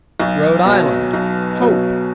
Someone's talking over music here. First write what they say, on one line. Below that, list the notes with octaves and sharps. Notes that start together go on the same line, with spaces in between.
Rhode Island--Hope.
B1
B2 F#3
B1
B2 F#3